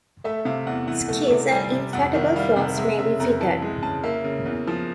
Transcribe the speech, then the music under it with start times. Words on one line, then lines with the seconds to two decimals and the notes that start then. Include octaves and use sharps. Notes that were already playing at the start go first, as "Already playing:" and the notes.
Skis and inflatable floats may be fitted.
0.24 A3 E5
0.45 C3 F5
0.67 E2 F#5
0.88 E3 F#5
1.08 A3
1.31 C3
1.51 G3 G#5
1.72 C3
1.93 F2 F#5
2.14 D#3 E5
2.36 G3 F5
2.56 C3 F#5
2.78 G#3 E5
2.99 C#3 E5
3.20 F2 A#5
3.40 E3 A5
3.62 G#3
3.83 C#3 A5
4.03 A#3 E5
4.24 C#3
4.45 E2
4.67 F3